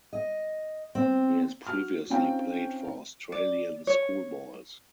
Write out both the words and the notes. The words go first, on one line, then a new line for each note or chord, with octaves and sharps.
He has previously played for Australian Schoolboys.
D#5
C4
F#4 F6
C4 C#4 D#4 F4 G5
D5
C#5